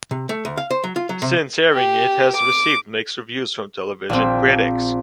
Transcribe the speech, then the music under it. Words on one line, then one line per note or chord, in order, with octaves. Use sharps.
Since airing, it has received mixed reviews from television critics.
C3
A3
D2
F5
C5
F#3
F4
F#3
C3
G4
D6
A#1 C4